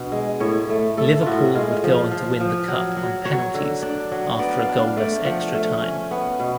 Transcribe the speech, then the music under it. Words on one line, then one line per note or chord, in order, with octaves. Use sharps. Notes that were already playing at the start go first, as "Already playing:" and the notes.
Liverpool would go on to win the Cup on penalties after a goalless extra-time.
Already playing: B2 D4
G#3
A2 C#5
A3
A3 A4
A2 F4 F#4
G#3 F4
F3
F3
F3
F#3
F#3
F#3 C#5
D3
D4
F#3
B3 D5
F5
D4
F5
A3 D5
F3 F#5
A3
C#4
B3
B2